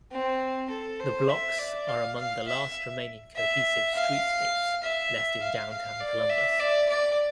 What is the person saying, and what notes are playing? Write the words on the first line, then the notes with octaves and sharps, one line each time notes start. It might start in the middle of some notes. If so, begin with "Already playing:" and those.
The blocks are among the last remaining cohesive streetscapes left in downtown Columbus.
C4
A4
C5
E5
D5
F5
F5
E5
E5
F5
E5
F5
F5
D5
E5
D5
D5